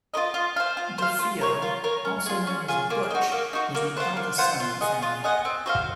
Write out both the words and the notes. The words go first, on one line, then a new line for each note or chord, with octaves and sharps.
DeFeo, also known as "Butch", was the eldest son of the family.
F4 A#4 D#5
F4
C5 F5
F4
C5 F5
F4
A#4 C#5
F4
A#4 C#5
C#4
F4 G#4
C#4
F4 G#4
A#3
D#4 F#4
A#3
D#4 F#4
A#3
F4 C5 F#5
A#3
F4 C5 F#5
F4
G#4 D#5 F#5
F4
G#4 D#5 F#5
C4
F#4 C5 F5